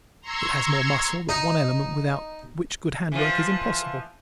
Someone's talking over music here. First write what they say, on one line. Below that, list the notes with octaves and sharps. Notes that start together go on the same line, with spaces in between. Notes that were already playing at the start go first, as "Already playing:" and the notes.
It has more muscle, that one element without which good hand work is impossible.
A#5 C6 C#6 E6 G#6
D#4
E3 F3